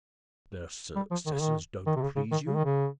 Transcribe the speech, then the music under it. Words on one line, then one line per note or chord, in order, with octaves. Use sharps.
"Their successors don't please you?"
G3
F3
D#3
C#3
D#3
D#3
C3
C#3
C#3
D#3
C#3
D#3
C#3